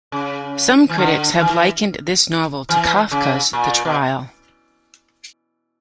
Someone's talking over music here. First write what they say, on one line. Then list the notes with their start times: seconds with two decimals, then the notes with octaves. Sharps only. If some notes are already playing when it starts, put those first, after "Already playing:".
Some critics have likened this novel to Kafka's "The Trial".
0.12 C#3
0.89 E3
0.98 D3
1.40 E3
2.69 E3
3.11 C#3
3.53 A#2
3.85 B2